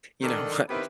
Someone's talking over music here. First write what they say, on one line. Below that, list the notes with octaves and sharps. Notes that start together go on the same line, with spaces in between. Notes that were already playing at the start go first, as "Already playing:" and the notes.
you know what,
D#3 D4 A4
D#3 B3 C4 E4 G4 B4